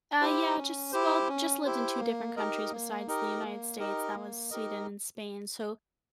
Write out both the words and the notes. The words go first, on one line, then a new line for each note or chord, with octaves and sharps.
uh, yeah, just well, just lived in two different countries besides the United States. That was Sweden and Spain. So
E4 G4 C5
C#4
E4 G4 C5
C#4
E4 G4 C5
A#3
D#4 G4 A#4 D#5
A#3
D#4 G4 A#4 D#5
A#3
D#4 G4 A#4 D#5
A#3
D#4 G4 A#4 D#5